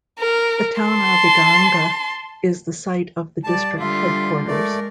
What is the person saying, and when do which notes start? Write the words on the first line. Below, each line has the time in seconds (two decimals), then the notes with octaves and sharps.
The town of Iganga is the site of the district headquarters.
0.19 A#4
0.80 A5 C6
3.44 G3 D5 A5
3.79 D3 G3 F4 E5
4.48 G#3 A3 A#4 D5